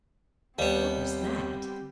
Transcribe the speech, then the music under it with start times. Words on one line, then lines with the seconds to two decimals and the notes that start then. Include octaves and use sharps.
What was that?
0.59 D#2 G3 B3 C4 G4